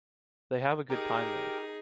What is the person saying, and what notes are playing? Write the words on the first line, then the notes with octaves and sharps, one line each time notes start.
They have a good time there.
D#4 G4 G#4 A#4